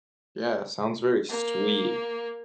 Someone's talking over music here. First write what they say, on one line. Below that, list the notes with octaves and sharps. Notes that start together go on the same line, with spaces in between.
Yeah, it sounds very sweet.
A#3